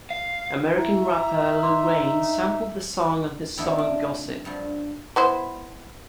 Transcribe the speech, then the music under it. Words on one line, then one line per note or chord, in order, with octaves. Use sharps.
American rapper Lil Wayne sampled the song on his song Gossip.
F5
E4 E5 A#5
D#4 C6 D6
F2 A2 D3 D#3 A3 E4
D4
G2 D3 F3
B3 E4 C5